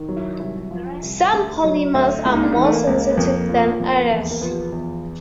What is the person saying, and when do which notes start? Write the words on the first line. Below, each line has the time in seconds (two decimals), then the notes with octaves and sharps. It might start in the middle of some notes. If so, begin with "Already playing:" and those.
Some polymers are more sensitive than others.
Already playing: D#3
0.09 F#3
0.17 E4
0.40 C2 E4
0.71 F3
1.02 C2
1.33 D2
1.64 F#3
1.95 D2
2.25 C#2 E4
2.34 D#4
2.43 D4
2.53 E3 D#4
2.64 A3
2.72 A#3
2.87 C#2
3.11 B3
3.17 F2 A#3
3.49 F3
3.60 A3
3.64 A#3
3.80 F2
4.11 E2 A#3
4.31 A#3
4.42 F3 B3
4.72 E2